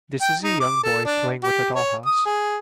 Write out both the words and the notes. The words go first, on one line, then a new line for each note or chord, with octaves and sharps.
This is a young boy playing with a dollhouse.
G5
D#4
D6
A4
D4
G4
C#5
D#6
G#4